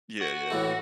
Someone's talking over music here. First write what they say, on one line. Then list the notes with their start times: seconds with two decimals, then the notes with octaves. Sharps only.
Yeah, yeah.
0.21 F#4
0.51 A2 E3 A3